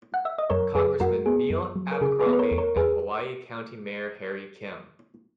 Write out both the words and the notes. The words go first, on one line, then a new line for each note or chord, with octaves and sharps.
Congressman Neil Abercrombie, and Hawaii County Mayor Harry Kim.
F#5
E5
D#5
F#2 A#4 C#5
F#2 G#4 B4
F#2 F#4 A#4
B3 G#4
F#2
F#3
A#4
C#3 G#4
G#4 B4
B3
B4
A#4 C#5
E2
A#4 C#5
E2 G#4 B4